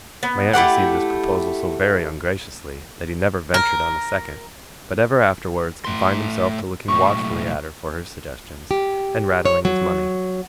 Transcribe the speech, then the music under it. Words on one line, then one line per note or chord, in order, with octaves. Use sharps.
My aunt received this proposal so very ungraciously, that he never ventured on a second; but ever afterwards confined himself to looking watchfully at her for her suggestions, and rattling his money.
B3
A3 E4 G4 F#5
A#4
A2 C6
B1 A2 C#6
G4
C#5
F#3